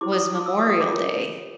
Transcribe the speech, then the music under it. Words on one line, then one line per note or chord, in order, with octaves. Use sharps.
was Memorial Day
E4 G4 C5 D6
D#6
D#6
D6
E6
D#6
D#6
D6
F4 A#4 C#5